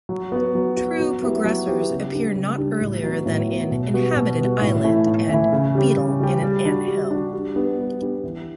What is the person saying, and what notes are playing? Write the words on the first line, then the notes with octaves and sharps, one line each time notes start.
True progressors appear not earlier than in "Inhabited Island" and "Beetle in an Anthill".
F#3
B3 F#4
F#3
B3 F#4
F#3
B3 E4 G4
F#3
B3 E4 G4
C#3
G3 D4 G4
C#3
G3 D4 G4
A2
F#3 B3
A2
F#3 B3
B2
G3 B3 F#4
B2
G3 B3 F#4
A2
E3 A3 E4
A2
E3 A3 E4
C#3
G3 C#4 G4
C#3
G3 C#4 G4
G3
D4 F#4
G3
D4 F#4
G3
B3 D4 G4
G3
B3 D4 G4
E3